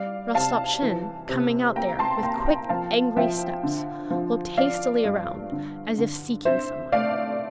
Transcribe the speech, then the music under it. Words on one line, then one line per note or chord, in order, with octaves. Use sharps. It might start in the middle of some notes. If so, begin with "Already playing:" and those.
Rostopchin, coming out there with quick angry steps, looked hastily around as if seeking someone.
Already playing: G3 D5 F5
C3 F5 A5
E3
C3
A#3 G5 A#5
A5 C6
A#3 G5 A#5
G5 A#5
F3 F5 A5
F3 E5 G5
D3
F3
F3 D5 F5
G2
D3
D3
C4 C5 E5
A3 D5 F5